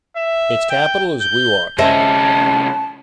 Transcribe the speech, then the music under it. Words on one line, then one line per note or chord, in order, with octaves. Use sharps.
Its capital is Wewak.
E5
G5
G6
C2 C#4 C5 D#5 E5 A5